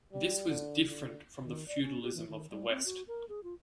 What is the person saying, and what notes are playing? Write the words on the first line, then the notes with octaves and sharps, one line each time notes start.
This was different from the feudalism of the West.
G3
D3
D3
D#3
D5
C#4
G4
E3
D#3
G3
C4
F#4
A#4
G#4
F4